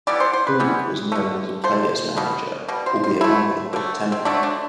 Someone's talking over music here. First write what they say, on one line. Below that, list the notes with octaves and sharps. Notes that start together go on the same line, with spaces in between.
Houk was known as a "player's manager"-albeit one with a quick temper.
E3 G3 B3 D5
C5
C5
B4
E3 G3 B3
D3 A3
D3 A3 C5
B2 G3 B3
B2 G3
C5
C5
D3 A3 E4
D3 A3
C4
D3 F#3 A3 D4
D4